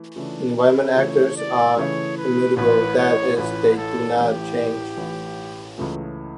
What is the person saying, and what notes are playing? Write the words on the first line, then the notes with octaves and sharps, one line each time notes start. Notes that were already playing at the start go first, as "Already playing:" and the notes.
Environment Actors are immutable, that is, they do not change.
Already playing: E3 A3
C#3 E3 A3 D4
E4
C#3 E3 A3 C#5
D5
C#3 E3 A3 C#5
B4
A1 A2 E3 B4
C#5
A1 A2 E3 B4
A4
A1 A2 E3 G4
A1 A2 E3
C#2 C#3 E3 A3